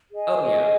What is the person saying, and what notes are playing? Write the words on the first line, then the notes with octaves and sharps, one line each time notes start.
Oh, yeah.
G#4 D#5 G#5